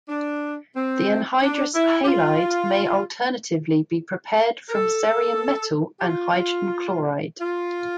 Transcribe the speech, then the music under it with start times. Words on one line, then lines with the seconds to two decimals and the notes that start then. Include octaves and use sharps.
The anhydrous halide may alternatively be prepared from cerium metal and hydrogen chloride.
0.09 D4
0.76 C4
1.42 D4
1.75 E4
2.04 G4
2.08 F4
4.69 A#4
4.74 A4
6.01 G4
6.08 F4
7.41 F4